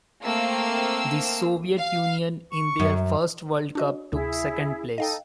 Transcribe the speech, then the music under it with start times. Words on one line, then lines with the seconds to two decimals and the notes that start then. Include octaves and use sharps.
The Soviet Union, in their first World Cup, took second place.
0.24 A3 A#3 C4 F5 E6
1.78 F5
2.52 C#6
2.80 F#2
3.75 D4 F#4 D#5
4.13 D2 C3 E4 G#4
4.98 D#4 A4 D#5 F5 G5